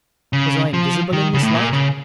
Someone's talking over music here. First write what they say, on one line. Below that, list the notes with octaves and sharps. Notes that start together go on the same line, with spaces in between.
Was I invisible in this light?
C#3
F3
D#3
C#3
A2
A#2
C#3